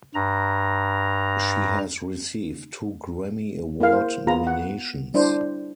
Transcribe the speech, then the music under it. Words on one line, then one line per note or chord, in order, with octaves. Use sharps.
She has received two Grammy Award nominations.
G2 A#5
A#3 E4 G#4 F5
C5
B3 F4 G#4 B4 A#5
F#5
G3 D4 E4 C5